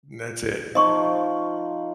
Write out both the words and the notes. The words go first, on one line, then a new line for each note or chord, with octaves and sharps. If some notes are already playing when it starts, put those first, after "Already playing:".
That's it.
F3 D#4 F4 D#5 C6 C#6